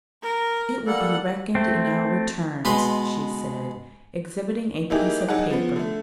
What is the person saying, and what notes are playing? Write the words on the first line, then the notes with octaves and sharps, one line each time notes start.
It will be reckoned in our returns,' she said, exhibiting a piece of paper.
A#4
G3 A#3 A4 F#5
A3 C4
B2 G#3 B4 B5 C6
E3 A#3 D#4 E4 G4 G#4
F#3 G3 D#4 G#4 F#5
F3 B3
D3 A3